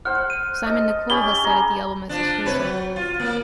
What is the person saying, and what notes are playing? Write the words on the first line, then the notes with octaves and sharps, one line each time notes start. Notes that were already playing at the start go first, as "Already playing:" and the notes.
Simon Nicol has cited the album as his favourite.
C5 F#5 F6
D#7
A4 D#5
C#4 G4 B5 G7
G#4 A#5
F3 D4
C3 B4 C#5
F#3
F4
A#3